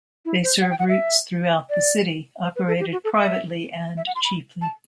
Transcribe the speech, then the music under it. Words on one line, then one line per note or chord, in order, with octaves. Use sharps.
They serve routes throughout the city, operated privately and cheaply.
E4
C5
F#5
G5
F#5
E5
D5
C5
B4
A4
G4
F#4
A4
E5
E5
F#5
C6
B5
A5